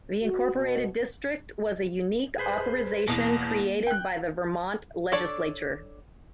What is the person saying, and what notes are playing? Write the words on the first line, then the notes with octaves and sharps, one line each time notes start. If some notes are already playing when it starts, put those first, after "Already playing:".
The Incorporated District was a unique authorization created by the Vermont legislature.
F#4
B2
G#4 B4 C5
E2 B2 A#3
G5 F#6
D4 A4 C#5 D5